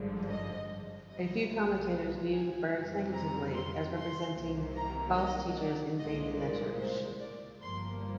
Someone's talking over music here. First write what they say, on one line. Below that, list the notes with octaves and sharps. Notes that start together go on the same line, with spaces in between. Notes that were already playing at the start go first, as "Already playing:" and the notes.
A few commentators view the birds negatively, as representing false teachers invading the church.
Already playing: G#1 G2 D3 F3 G#3
D#5
C2 C3 G3 D#5
G#5
F2 C3 G3
A#5
C6
C6
C2 C3 D#3 A#3
A#5
D#5
D5
C2 A#2 G#3 D#5
D5
C5
D5
G1 G2 F3 A#3 C6